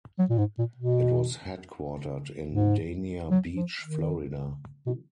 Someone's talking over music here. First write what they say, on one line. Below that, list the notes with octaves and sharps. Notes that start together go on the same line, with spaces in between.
It was headquartered in Dania Beach, Florida.
F#3
A#2
G#2
A#2
B2
G#2
F#3
F3
D#3
B2